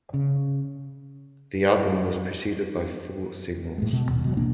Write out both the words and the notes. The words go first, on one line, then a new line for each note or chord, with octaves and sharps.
The album was preceded by four singles.
C#3
A2 G#3
B2
D#1
B2 F#3
A1 A#3 D4